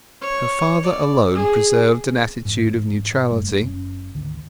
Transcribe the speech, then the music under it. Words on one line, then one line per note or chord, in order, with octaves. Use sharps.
Her father alone preserved an attitude of neutrality.
C#5
D5
G#4
E2 G#2
F#1 G2 G3 A3
F#1 C#4
G#1 D2 D3 D#3